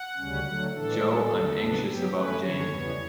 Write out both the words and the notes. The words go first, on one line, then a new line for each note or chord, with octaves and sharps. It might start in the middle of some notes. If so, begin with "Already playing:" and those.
Jo, I'm anxious about Jane.
Already playing: F#5
D2 C#3 G3 C#4
D3 F#3 A3
A2 E3 A3 D4 A4
A2 G3 D4
E2 D3 A3 D4
C#3 F#3 B3 D4
G2 F#3 B3 G4
G2 F#3 A3 C#4 B4
G2 D3 F#3 C#4 C#5
E2 C#3 E3 G3 B3